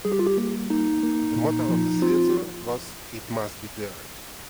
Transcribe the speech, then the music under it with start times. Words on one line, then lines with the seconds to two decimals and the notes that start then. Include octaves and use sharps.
The motto of the theatre was "It must be dared".
0.05 G3 G#4
0.12 G4
0.19 F4
0.27 G4
0.37 A#3
0.70 A#3 D#4
1.03 A#3
1.36 A#2
1.69 F3
2.02 C4 F4